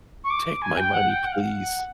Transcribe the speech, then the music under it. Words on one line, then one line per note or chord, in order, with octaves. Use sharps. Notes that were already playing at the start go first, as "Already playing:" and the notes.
Take my money, please."
C#6
D6
G#5
G5
F#5
G5
F#5
F5
F#5